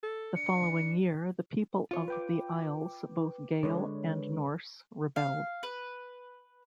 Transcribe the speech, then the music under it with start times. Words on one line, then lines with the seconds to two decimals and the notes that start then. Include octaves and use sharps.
The following year, the people of the Isles, both Gael and Norse, rebelled.
0.03 A4
0.35 D4 C#7
1.91 F4 C#5
2.08 B4 G5 D6
3.63 D3 G#3 B4 C#5
5.16 F5
5.63 B4